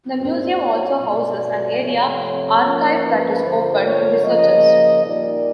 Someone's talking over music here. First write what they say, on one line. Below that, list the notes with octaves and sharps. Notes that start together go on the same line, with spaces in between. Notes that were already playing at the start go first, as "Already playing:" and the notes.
The museum also houses an area archive that is open to researchers.
A#2 G3 A#3 D4 C5
C#5
B2 F#3 A3 D4 D5
C3 F3 A3 C4 C#5
C#5
F3 A#3 C#4
B4
D3 F3 A#3 D4 C5
C#5
C#3 F3 A#3 D#5
A#2 G3 A#3 D#4 D5